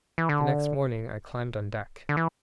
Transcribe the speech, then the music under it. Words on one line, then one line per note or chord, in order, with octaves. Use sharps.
The next morning I climbed on deck.
E3
D3
D3
E3